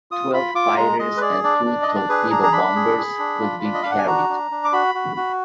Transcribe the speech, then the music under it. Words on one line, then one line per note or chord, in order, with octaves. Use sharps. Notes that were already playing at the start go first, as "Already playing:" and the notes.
Twelve fighters and two torpedo bombers could be carried.
F4 D#6
F4 B5
F4 D6
G#3 A#5
G#3 D#5
B4
G#4 D5
D4 D5
D4
D#5
D4
D5
G#4 B4
D4 A#5
A#5
D4 B5
G#4
G#4
D4
F4
D4
D#5
D4 F5
F#5
G#5
F#4 A#5
D4
D4
D6
F#4 B5
F#4
F#4